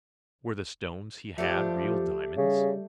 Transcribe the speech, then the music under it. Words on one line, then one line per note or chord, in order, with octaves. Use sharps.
Were the stones he had real diamonds?
F3 A3 D4 G4
C#3 G3